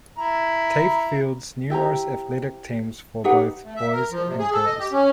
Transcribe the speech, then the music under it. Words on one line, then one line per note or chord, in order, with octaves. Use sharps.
Taft fields numerous athletic teams for both boys and girls.
E4 A#5
E4 G4 C5 A#5
D#4 G4 B4 F#5
A3
E5
A#4
F3
C3
G#4
A4
D#5
G4
C#4